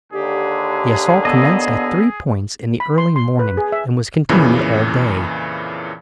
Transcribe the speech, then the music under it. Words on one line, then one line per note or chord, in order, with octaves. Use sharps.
The assault commenced at three points in the early morning and was continued all day.
D#2 D3 G4 G#4
B3 A4 D#5
B5
C6
C6
B4
G#4
E5
F2 A#2 C#3 E3